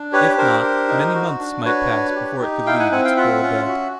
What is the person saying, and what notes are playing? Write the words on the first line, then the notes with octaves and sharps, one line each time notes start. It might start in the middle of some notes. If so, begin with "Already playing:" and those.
If not, many months might pass before it could leave its coral bed.
Already playing: D4
G4 B4 C#5
D4 A#4 C5
G4
D#4
F#4
D4
F#4 B4 C#5
D4
G4
D#4
E4 F5 G5
F#5 G#5
C4 F#5 G#5
F5 G5
F4 E5 F#5
C#4
F#4